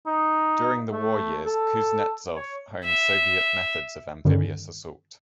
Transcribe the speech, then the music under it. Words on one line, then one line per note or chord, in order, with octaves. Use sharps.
During the war years Kuznetsov honed Soviet methods of amphibious assault.
D#4
A3
A4
C#5
E5
G2 D3 D#3 G3 C#4